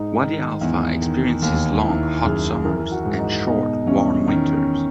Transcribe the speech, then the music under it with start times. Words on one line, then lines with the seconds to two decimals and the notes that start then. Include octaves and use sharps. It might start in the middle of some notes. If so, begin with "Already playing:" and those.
Wadi Halfa experiences long, hot summers and short, warm winters.
Already playing: G#2 D#4
0.21 D#3
0.61 E2
1.02 D#3
1.42 D#2
1.83 D#3 E4
2.25 F#2 G#4
2.64 E3 A#4
2.92 F#4
3.05 G#2
3.19 D#4
3.46 B2 D#4
3.87 E2 C#4
4.28 D#3 C#4
4.55 C#4